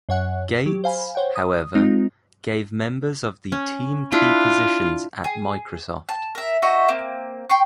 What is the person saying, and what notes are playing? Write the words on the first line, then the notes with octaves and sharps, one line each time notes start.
Gates, however, gave members of the team key positions at Microsoft.
F#2 C#5 F#5 F#6
F#3 G4
C5 F5 G#5 B5
C5 C#5 F#5 G5
D#6
G#3 C4 D#4 F4
C#4
D4 E4 F4
G#4
A5
A#4 E5
D#4 F#4 D#5 E5
A#3 C4
G5 C6 C#6